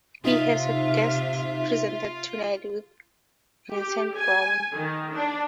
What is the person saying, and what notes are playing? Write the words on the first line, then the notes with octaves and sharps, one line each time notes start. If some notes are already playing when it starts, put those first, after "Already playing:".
She has guest presented "Tonight with Vincent Browne".
C3 D#4 F4 E5
G4
G#5
D#3
D4